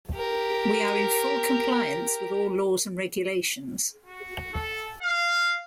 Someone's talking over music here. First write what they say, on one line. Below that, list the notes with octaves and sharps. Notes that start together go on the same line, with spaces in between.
We are in full compliance with all laws and regulations.
G4 A#4
F#4
A4
F5